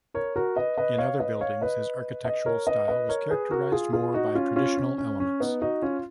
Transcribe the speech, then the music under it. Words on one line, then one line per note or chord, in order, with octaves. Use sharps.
In other buildings, his architectural style was characterized more by traditional elements.
A#4 C#5
F#4 A#4
B4 D#5
B4 D#5
C#5 F5
B4 D#5
C#5 F5
B4 D#5
B4 D#5
A#4 C#5
B4 D#5
B4 D#5
A#4 C#5
G#4 B4
F#4 A#4
F4 G#4
F4 G#4
D#4 F#4
C#4 F4
C#4 F4
C#4
C#4
C#4
B3 D#4
D#4 F#4
C#4 F4